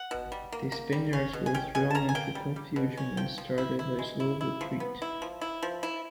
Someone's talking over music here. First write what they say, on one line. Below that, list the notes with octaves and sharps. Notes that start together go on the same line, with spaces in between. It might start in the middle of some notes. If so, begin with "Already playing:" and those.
The Spaniards were thrown into confusion and started a slow retreat.
Already playing: F#5
B2
G3
A#3
A#3
G3
C#4
B2
G#5
C#4 G5
B2 G#5
A5
C#4 A#5
G#5
A#3 G5
G3
G3
B2
C#4
F3 G5
F3
E4
E4
G#3
E4
E4
F3
B3
E4
F3
E4
F3
E4